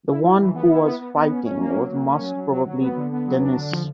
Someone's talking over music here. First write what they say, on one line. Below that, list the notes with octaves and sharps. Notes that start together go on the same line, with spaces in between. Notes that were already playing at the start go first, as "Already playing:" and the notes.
The one who was fighting was most probably Denis.
E4
E4
E3
B3
E4
B3
B3
B3
C#4
C#4
A#3
F#3
A#3
C#4
F#3
F#3
F#3
F#3
B3
D3
B3
F#3
D4
D3
F3